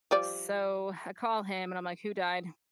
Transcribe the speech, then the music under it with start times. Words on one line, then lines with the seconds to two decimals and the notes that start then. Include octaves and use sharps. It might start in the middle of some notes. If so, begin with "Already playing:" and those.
So I call him and I'm like, "Who died?"
0.11 F3 G3 D5